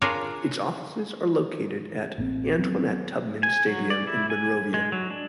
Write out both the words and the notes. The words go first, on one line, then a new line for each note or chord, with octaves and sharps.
Its offices are located at Antoinette Tubman Stadium in Monrovia.
D4 F4 G#4 A#4 C#5 D5
A1 A#3 C4
F#3 B3 C4
G#5
F#3
D5
E4
G#5
G#3
F#3
D4